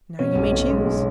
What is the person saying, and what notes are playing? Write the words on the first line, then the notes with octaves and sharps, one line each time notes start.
Now you may choose.'
B2 C#4
B1
B1
G#3
B1